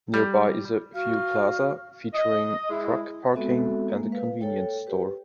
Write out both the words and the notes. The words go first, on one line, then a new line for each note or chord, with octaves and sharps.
Nearby is a fuel plaza, featuring truck parking and a convenience store.
G3
F#4 F5 F6
D#5
G#3 E4
G#3 B3 C4 F#4 A4 E5
G#3 A#3
B4 F5
A4 C#5 G5
G4 B4